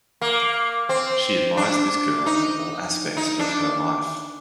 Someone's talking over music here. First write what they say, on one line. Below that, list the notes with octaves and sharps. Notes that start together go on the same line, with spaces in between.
She admires this girl in all aspects of her life.
A#3
C4
D4
D#4
D#4
D4